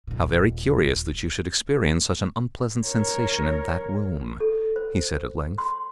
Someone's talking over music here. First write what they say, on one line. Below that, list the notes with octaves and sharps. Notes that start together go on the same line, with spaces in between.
"How very curious that you should experience such an unpleasant sensation in that room!" he said at length.
D#1 A#2
A#4 C#5
A4
C5
C6